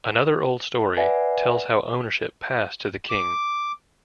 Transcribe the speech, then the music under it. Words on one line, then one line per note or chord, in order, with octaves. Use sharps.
Another old story tells how ownership passed to the king.
B4 D5 E5 F#5 G#5
D6